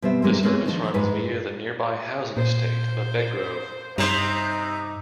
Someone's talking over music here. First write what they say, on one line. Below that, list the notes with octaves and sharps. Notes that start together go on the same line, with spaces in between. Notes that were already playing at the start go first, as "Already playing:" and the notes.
The service runs via the nearby housing estate of Bedgrove.
B2 G3 B3 C4 C5 E5
G#2 E3 G3 G#3 A#3 C#4
G#3 B3 C4 G#4 C#5
D#3 F3 A3 A#3 D4 D#4
G#2 G#3 D#4 G#4 B4
A#2 C5
G2 C3 D#4 C5